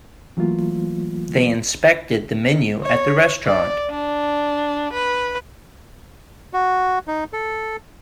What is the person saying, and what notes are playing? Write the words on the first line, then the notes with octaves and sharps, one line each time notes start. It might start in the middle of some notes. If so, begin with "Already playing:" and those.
They inspected the menu at the restaurant.
E3 F#3 A3 A#3 F4
C#5
D5
D4
B4
F#4
D#4
A4